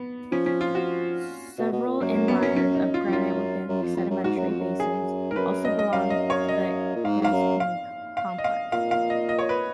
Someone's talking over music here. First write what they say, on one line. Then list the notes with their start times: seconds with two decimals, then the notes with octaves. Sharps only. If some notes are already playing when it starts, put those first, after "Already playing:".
Several inliers of granite within these sedimentary basins also belong to the Gascoyne Complex.
Already playing: B3
0.32 F3 C#4
0.46 C#4
0.61 F4
0.75 F#4
1.58 B2
1.72 B2
1.86 A#2
2.00 F#2 A#3
2.14 A#3
2.28 B3
2.43 C#4
2.56 C#4
2.75 D#4
2.94 F4
3.07 F2
3.12 F#2 F4
3.69 F#2
3.82 F2
3.97 F2
4.10 F#2
4.24 G#2 F#4
4.37 F#2
4.48 F2
4.60 F#2
4.80 G#4
5.31 G#2 A#4
5.36 F#2 B4
5.65 D#5
5.79 D#5
5.92 F#2 F5
6.10 D#5
6.30 C#5
6.49 D#5
6.96 A#2
7.05 G#2 F5
7.21 G#2 F5
7.32 F#2
7.60 F5
8.17 F5
8.38 D#5
8.44 F5
8.72 A#2 F5
8.91 F5
9.10 D#5
9.29 D#5
9.39 C#5
9.49 B4